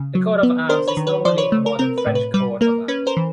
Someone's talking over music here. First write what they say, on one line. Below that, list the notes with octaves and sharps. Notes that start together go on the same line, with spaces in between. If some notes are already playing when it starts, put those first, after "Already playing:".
The coat of arms is normally a modern French coat of arms.
Already playing: C#3
F#3
B3
D4 A#4 C5
B4 C#5
D#3
B4 C#5
F3 C5 D5
B4 C#5
A3
A#4
C4 A#4
B4
A2
B4
G3 B4
A#3 A#4
C#4 B4
A#4 C5
E3